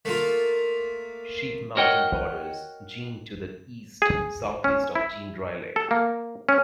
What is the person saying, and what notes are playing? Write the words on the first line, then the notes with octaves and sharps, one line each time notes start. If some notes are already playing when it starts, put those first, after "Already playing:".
Sheep Mountain borders Jean to the east, southeast of Jean Dry Lake.
A3 A#3 F4
F#4 A#4 C#5 D#5 F#5 G5
G#4
C#4
E4
A4
A#3
C#4